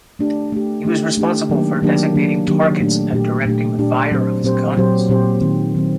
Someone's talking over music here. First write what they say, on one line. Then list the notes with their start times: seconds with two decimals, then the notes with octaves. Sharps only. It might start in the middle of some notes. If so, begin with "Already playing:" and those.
He was responsible for designating targets and directing the fire of his guns.
0.19 A3 D4 G4
0.52 A3 D4 G4
0.85 A3 D4 G4
1.17 A3 D4 G4
1.50 D#3 F#3 A#3 D4 G4
1.82 D#3 F#3 A#3 D4 G4
2.15 D#3 F#3 A#3 D4 G4
2.48 D#3 F#3 A#3 D4 G4
2.80 A#2 A3 D4 G4
3.13 A#2 A3 D4 G4
3.45 A#2 A3 D4 G4
3.78 A#2 A3 D4 G4
4.11 A#2 F#3 C4 G4 C5
4.44 A#2 F#3 C4 G4 C5
4.76 A#2 F#3 C4 G4 C5
5.09 A#2 F#3 C4 G4 C5
5.41 D#3 F#3 C4
5.75 D#3 F#3 C4